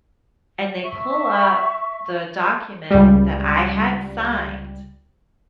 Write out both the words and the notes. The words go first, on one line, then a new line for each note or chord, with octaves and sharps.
And they pull up the document that I had signed,
E5 C#6
C#2 G3